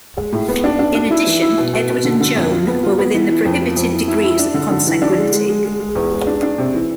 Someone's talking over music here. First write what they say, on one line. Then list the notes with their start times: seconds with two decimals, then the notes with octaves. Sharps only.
In addition, Edward and Joan were within the prohibited degrees of consanguinity.
0.17 G#3
0.32 A2
0.48 B3
0.64 D4
0.79 D4
0.95 D4
1.11 E4
1.27 E3
1.42 E4
1.58 B2
1.73 B2
1.89 B2
2.05 D3
2.20 D3
2.36 F2
2.51 F4
2.67 B3
2.83 F4
2.99 B3
3.14 E3
3.30 E3
3.45 F2
3.61 F3
3.76 F2
3.92 E3
4.08 E4
4.24 E4
4.39 D4
4.54 D3
4.71 D3
4.87 E3
5.02 D4
5.18 G#3
5.33 G#3
5.49 G#3
5.65 G#3
5.80 G#3
5.95 E2
6.11 G#3
6.27 D4
6.43 D4
6.58 C3
6.74 E3